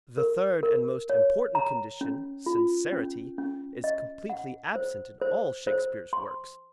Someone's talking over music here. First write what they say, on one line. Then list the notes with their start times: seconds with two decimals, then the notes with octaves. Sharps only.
The third and most important condition, sincerity, is completely absent in all Shakespeare's works.
0.17 A#4
0.63 A#4
1.10 C#5
1.55 A#5
2.01 C#4
2.46 F4
2.92 C#4
3.38 C#4
3.84 D#5
4.30 F#5
4.76 C5
5.21 C5
5.67 C5
6.13 C6